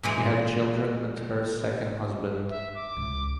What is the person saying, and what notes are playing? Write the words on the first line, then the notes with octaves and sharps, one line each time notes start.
She had children with her second husband.
A#2 E3 G#3
E5
D6
C#2